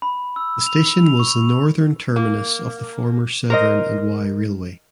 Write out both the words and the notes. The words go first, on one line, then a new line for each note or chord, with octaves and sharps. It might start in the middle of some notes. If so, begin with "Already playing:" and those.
The station was the northern terminus of the former Severn and Wye Railway.
B5
E6
F7
F7
C#6
A#3
A#4 C5 D#5